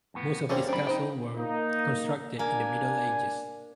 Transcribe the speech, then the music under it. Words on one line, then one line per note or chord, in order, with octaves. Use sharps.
Most of these castles were constructed in the Middle Ages.
F2 A2 B3
E2 G3 A#3 C#4 G#4 A4 C5
G#2 C3 F#3 D4 D5 B5
D#4 C5 G5
A#3 D#4
A#3 D4 G#5